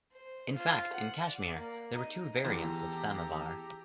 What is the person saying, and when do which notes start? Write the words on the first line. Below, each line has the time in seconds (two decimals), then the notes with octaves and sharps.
In fact in Kashmir, there were two variants of Samovar.
0.12 C5
0.54 F4
0.93 F#5
1.25 D5
1.56 A#3
1.94 D#4
2.44 E2 G4 A4 A#5